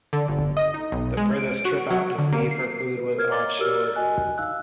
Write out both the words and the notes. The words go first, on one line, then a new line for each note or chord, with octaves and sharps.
The farthest trip out to sea for food was offshore.
D3
G1
D#5
D#4
B1
G#3
D7
F#4
F#3
D3
A#3
C7
B4
A#4 C5 F6 G#6
C#5 D#5 A#5 D6 A6 G7
F#4 G4 A#4 D5 E6 F6
F#4 D#5 G#5 F#6
D#4 F5 E6 F#6